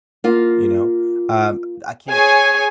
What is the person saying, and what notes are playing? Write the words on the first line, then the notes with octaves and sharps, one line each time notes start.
you know? Um, I can't
A#3 F4
G#4 C#5 G#5